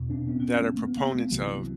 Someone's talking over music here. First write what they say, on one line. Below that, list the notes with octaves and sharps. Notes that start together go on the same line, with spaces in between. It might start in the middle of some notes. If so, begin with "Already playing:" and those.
that are proponents of
Already playing: E2 B2
C4 D4
B3 C#4
A3
A#3
B3
A#3 C4
A3 B3
C2 C3 E3 F#3